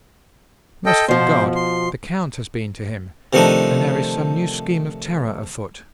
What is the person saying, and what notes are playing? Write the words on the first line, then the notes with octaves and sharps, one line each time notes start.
Merciful God! the Count has been to him, and there is some new scheme of terror afoot!
A4 D#5 G5
B2 F3 C5
C6
C3 D#3 F3 A3 D4 D#4